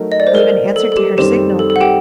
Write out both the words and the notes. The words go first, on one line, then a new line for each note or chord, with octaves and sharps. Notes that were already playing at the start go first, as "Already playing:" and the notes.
Laban answered to her signal.
Already playing: F#3 A3 D#4 A#4
D#5
D5
C5
A#4
A4
A4
G4
F#2 D#3 G3 C4 G4
A4
A4
F#5
G4 G5